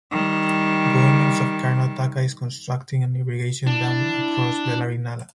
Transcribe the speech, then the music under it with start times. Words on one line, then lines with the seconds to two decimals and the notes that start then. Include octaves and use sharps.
Government of Karnataka is constructing an irrigation dam across Bellary Nala.
0.12 D#3 G3
3.67 D4 E4